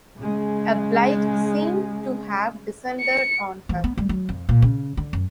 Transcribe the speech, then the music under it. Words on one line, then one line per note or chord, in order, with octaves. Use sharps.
A blight seemed to have descended on her.
C#3 G#3
C#7
E3
B3
G3
F#3
F2
A#2
C#3
D3
F#2